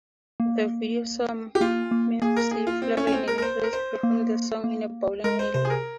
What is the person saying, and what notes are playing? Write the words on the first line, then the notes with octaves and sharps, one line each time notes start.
The video saw McFarlane and Harris perform the song in a bowling alley.
A#3
G4
A#3 F4
A#3
A#3 G#4
A#4
G#4
F4
C4
C#4
C#4
C4
A#4
A#4
C5
A#4
C5
A#3
A#3
G#3 A#4
C5
C3 C5
G#4
A#4